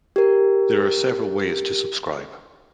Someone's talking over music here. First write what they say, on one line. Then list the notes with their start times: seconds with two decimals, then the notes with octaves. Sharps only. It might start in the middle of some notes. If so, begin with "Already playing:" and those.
There are several ways to subscribe.
0.16 G4 A#4